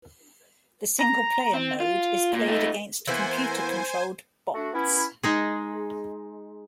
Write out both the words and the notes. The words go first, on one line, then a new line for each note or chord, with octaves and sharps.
The single-player mode is played against computer-controlled bots.
A#5
C4
F4
A#2
A3 D#4
E3 A#3 B3 C5 G#5
A3 D4 F#4
B3 C#4 E4
G#3 D#4 G#4